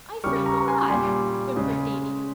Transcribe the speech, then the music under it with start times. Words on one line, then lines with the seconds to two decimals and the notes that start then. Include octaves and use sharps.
"I forgot," whimpered Davy.
0.24 C#3 G3 C#6 F6
0.46 A#5 C#6
0.57 C#6
0.68 G#5 C6
0.90 A#2 G3 G#5 C6
1.56 C#3 G#3